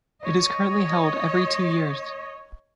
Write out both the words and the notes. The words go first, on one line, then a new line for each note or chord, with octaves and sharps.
It is currently held every two years.
C#5 D#5